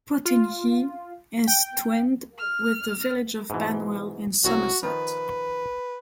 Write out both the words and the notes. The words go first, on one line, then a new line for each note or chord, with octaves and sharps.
Potigny is twinned with the village of Banwell in Somerset.
F4
G5
F6
G#2 B2 E3
C2 F#3 F#4
D#3 F3 B4